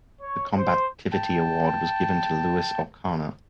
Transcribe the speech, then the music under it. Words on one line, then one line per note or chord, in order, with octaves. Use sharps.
The combativity award was given to Luis Ocana.
C#5
C5
G5 A5